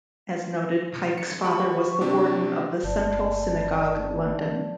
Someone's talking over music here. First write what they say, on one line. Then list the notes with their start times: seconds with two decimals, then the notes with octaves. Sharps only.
As noted, Pyke's father was the warden of the Central Synagogue, London.
1.18 C#7
1.43 G4 F#5 B5 C#6
2.01 C3 D4 G4
2.84 G1 D5 A5